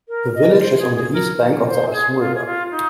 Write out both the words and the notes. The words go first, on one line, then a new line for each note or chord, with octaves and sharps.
The village is on the east bank of the Hudson River.
A#4
D#5
C5
G#4
G#4
A#4
D#5
C5
G#4
F4
G#4
F4
D#4